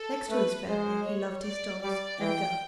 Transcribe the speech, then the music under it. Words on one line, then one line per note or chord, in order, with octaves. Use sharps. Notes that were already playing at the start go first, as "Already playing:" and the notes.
Next to his family he loved his dogs and gun.
Already playing: A4
A3 B4
G#3 C5
C#5
D5
G3 D5
E3 G5